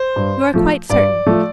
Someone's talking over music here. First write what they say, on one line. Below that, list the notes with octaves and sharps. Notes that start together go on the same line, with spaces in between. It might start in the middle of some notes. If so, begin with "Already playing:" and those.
'You are quite certain?
Already playing: C5
G2
F3 A3
G2 D5
F3 A3